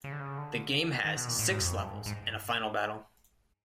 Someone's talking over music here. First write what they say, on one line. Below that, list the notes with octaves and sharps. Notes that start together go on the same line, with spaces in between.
The game has six levels and a final battle.
C#3
D3
C#3
D3
D#3
B2
A#2
A2
G#2
F2
F#2
G2
G#2
G#2